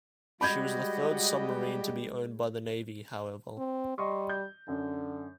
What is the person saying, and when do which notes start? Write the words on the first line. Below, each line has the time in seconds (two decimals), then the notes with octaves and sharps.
She was the third submarine to be owned by the Navy, however.
0.41 G3 G#3 F#4 D#5 B5 G6 G#6
3.58 C4
3.98 G3 D#5 C6 C#6
4.29 G6
4.68 F#2 D3